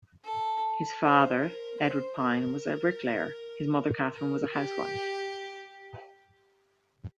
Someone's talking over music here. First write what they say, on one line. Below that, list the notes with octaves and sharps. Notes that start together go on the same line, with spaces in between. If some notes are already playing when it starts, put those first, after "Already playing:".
His father, Edward Pyne, was a bricklayer; his mother, Catherine, was a housewife.
A4
C5
A#4
C5
A#4
A#4
G4